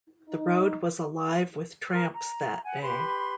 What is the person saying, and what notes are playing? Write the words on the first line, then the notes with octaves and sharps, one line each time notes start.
The road was alive with tramps that day.
D#4
A#4 F6
A#5
F#5 G#5
G4 B4 B5 C6